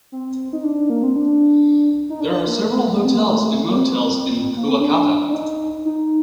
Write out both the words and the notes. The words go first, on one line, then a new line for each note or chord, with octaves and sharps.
There are several hotels and motels in Kuakata.
C4
D#4
D4
A#3
C4
D4
D#4
D4
A#3
A3
C4
A#3
A3
A#3
C4
A#3
C4
D4
D4
D#4
D#4